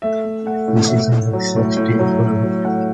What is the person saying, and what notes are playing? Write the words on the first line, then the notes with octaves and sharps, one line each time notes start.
This is a mixed-sex teams tournament.
A3 E5
A3
A3 F#5
A2
A2 E5
A2
F#3
A2
A2
F#3
F#3
F#3
A2 F#5